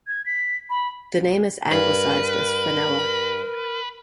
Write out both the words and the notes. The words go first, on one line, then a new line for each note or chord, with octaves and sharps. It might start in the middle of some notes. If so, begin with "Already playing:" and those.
The name is anglicized as Fenella.
G#6
B6
B5
G2 A#4 B4